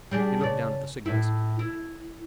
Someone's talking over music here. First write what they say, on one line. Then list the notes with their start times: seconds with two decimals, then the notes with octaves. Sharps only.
He looked down at the signals.
0.11 G3 D4 G#4
0.41 C#3 D5
1.06 A2 E4
1.59 E4